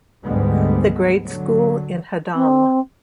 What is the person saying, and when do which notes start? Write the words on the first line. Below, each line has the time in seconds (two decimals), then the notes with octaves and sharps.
The grade school in Haddam.
0.23 D2 G#2 D3 G3 G#3 B3
1.23 D3 F#3
2.35 C4